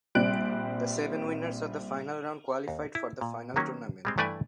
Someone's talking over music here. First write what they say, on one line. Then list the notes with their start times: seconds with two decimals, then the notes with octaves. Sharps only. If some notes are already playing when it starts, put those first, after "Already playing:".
The seven winners of the final round qualified for the final tournament.
0.15 A#1 G3 C4 F#6 D7
2.68 D#2
2.95 E4
3.21 A#2
3.56 D#3 F#3 A#3 C#4
4.05 G3 G#3 C4
4.18 G2 E3 A3 B4 D5 G#5